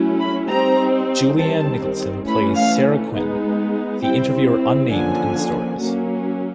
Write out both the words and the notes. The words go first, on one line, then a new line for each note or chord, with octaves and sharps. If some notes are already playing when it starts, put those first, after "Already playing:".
Julianne Nicholson plays Sara Quinn, the interviewer unnamed in the stories.
Already playing: F#3 A3 C#4 E4
B5
G3 C4 D#4 A#5
D#3 G3 C4 A5
E3 A3 C#4 B5
F5
G#3 B3 D#4
G3 C4 E4 G5
D3 F3 A#3 C#4 G#5
F#3 A#3 C#4